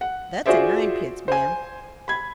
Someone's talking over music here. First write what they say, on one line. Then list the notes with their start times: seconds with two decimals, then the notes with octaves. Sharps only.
That's a ninepence, ma'am.
0.01 F#5
0.46 F4 F#4 G#4 C5 D5 E5
1.28 C5 G#5
2.08 B5 G#6